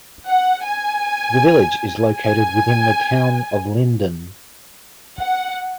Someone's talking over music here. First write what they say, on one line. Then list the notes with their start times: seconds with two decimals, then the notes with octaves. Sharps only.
The village is located within the Town of Linden.
0.27 F#5
0.65 G#5
2.16 G#5
5.18 F#5